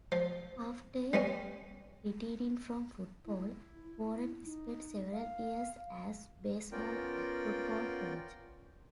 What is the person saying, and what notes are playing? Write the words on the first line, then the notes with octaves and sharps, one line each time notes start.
After retiring from football, Warren spent several years as baseball and football coach.
F3
G3 B3 C#4
E4
D#4
F5
B3 C#4 F4 A#4 D5 G5